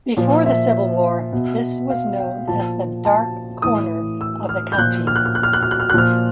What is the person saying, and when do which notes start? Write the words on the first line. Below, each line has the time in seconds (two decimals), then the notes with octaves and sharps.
Before the Civil War, this was known as the dark corner of the county.
0.17 A#2 F3
0.46 E5
1.32 B2
1.90 F5
2.19 G5
2.48 A#2 F3 A5
3.05 A5
3.62 A2 E3 D#6
4.21 E6
4.49 F6
4.72 G6
4.78 A#2 F3 F#6
5.07 F6
5.16 F#6
5.25 F6
5.35 F#6
5.43 F6
5.53 F#6
5.63 F6
5.71 F#6
5.80 F6
5.90 F#6
5.94 A#2 F3 F6